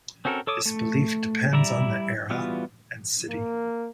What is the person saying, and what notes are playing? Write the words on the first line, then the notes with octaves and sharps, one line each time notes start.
This belief depends on the era and city.
C4 C#4 F#4 A4 A#4
A4 C#5 D6 D#6
A3
G3 E4 D5 E5 A#5
E3 G3 B3 F4 F#4
A#3